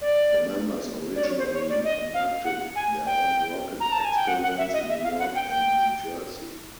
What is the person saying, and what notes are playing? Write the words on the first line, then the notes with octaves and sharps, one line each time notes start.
The members originally conducted their own rocket experiments in New York and New Jersey.
D5
D5
C#5
C5
C#5
D5
D#5
F5
F#5
G#5
G5
A#5
A5
G#5
G5
F#5
F#5
E5
D#5
E5
F5
F#5
G5
G5